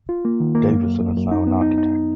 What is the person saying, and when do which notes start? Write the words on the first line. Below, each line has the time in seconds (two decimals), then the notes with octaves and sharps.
Davison is now an architect.
0.09 F4
0.25 A#3
0.40 D#3
0.55 A#3
0.70 F#2
0.86 F#2
1.01 F#2
1.17 F#2
1.31 D#4
1.47 B3
1.62 D#4
1.78 D#4